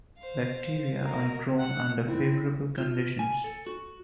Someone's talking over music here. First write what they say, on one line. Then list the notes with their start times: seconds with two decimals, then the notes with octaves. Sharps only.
Bacteria are grown under favourable conditions.
0.18 C5 F5
1.03 F#4 A#4 D#5
1.58 F#5
2.08 C4 E4
2.78 F4
3.19 G#5
3.44 A4
3.67 F#4